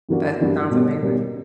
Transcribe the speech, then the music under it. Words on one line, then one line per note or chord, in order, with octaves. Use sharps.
that sounds amazing.
G2 E3 A#3 D4 F#4
G2 E3 A#3 D4 F#4
B2 G3 A#3 C#4
B2 G3 A#3 C#4